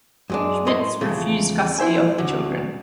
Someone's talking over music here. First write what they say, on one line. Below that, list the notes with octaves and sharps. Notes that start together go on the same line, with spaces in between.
Schmitz refused custody of the children.
F#2 G#3 D4
A2 G#3 D#5 E5 C6
E2 C#3 F3 A3 C4
E4 C5 E5 G#5
D2